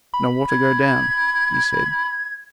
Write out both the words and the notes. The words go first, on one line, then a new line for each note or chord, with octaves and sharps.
"No water go down," he said.
B5
G#6